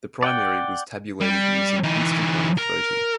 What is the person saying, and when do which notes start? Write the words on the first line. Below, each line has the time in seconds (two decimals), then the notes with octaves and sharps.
The primary was tabulated using instant runoff voting.
0.23 D5 F#5 G5
1.21 G3
1.84 E3 D#4
2.58 A#4